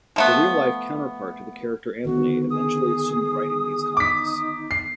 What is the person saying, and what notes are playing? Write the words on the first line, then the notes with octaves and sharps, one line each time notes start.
The real-life counterpart to the character Anthony eventually assumed writing these comics.
F3 A3 B3
D3 D#3 B3 F#4
G#4 D#6
D#4 D6 B6
C7